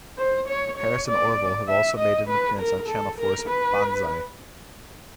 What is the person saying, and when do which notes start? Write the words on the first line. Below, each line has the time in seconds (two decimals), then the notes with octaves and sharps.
Harris and Orville have also made an appearance on Channel Four's "Banzai".
0.18 C5
0.48 C#5
0.78 C#5
1.08 D5
1.68 E5
1.98 D#5
2.28 B4
2.59 A#4
2.89 A4
3.18 A#4
3.48 B4